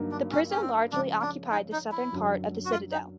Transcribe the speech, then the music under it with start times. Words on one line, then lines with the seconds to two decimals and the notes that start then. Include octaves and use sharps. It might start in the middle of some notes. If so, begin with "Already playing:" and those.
The prison largely occupied the southern part of the citadel.
Already playing: G2 D3 F#3 A#3 D#4
0.12 D4
0.31 C#4
0.50 C#4
0.61 C4
0.91 C#3 F3 G#3 C#4 D4
1.21 D4
1.52 D#4
1.72 D#4
1.92 E4
2.12 F#2 D3 F#3
2.65 F#4
2.72 F4
2.92 D#4